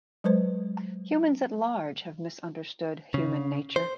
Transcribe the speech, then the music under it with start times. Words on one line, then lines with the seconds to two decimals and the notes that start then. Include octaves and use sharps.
Humans at large have misunderstood human nature.
0.24 F#3 G#3 B4 C5
3.14 C#3
3.76 C5